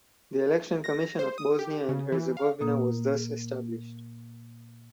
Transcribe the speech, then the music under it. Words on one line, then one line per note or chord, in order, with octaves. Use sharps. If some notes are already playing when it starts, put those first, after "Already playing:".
The Election Commission of Bosnia and Herzegovina was thus established.
A#6
C5
D#6
G4
C#3
E3
F5
A#2 A#3 D#6